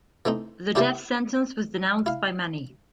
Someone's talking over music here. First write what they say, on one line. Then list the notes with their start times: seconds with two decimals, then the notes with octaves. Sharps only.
The death sentence was denounced by many.
0.25 E3 A3 C4 D#4
0.75 D4 E4 G4 C5 D5 E5
2.06 E4 F5